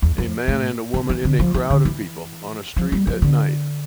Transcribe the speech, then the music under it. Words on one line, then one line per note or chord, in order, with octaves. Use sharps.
A man and a woman in a crowd of people on a street at night.
E2
F2
A2
C3
E3
D3
F3
E3
D3
E3
F3
G3
F3
D3